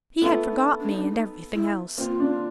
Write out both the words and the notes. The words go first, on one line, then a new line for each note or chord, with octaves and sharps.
He had forgot me and everything else.
A3 B3 F4
D#4
D4
D#4
D4
D#4
E4
A#3 C4 F4
C4 D4